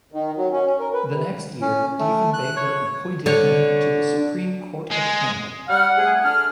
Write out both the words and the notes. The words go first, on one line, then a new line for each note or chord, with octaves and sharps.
The next year, Diefenbaker appointed him to the Supreme Court of Canada.
D#3
F#3
C#4
C#4
A#4
B4
C3
C#4
A3
F#6
C#5
D3 C#5
G#3
G3 F#5 F6
F2 A3 G#4
D3 D4 F6